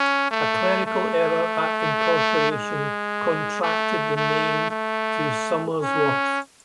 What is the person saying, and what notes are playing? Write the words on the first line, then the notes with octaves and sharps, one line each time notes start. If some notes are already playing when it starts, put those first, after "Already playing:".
A clerical error at incorporation contracted the name to "Somersworth".
Already playing: C#4
A3
A3
G#3
A3
A3
A3
C#4